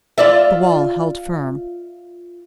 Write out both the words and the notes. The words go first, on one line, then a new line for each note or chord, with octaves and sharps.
The wall held firm.
F4 D5 E5